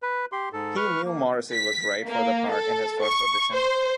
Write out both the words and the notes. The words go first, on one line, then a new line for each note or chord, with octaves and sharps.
He knew Morrissey was right for the part in his first audition.
B4
G4 C6
G#2 A4
B4 C#6 F6
A#3
B6
A#3
A4
C#6
C5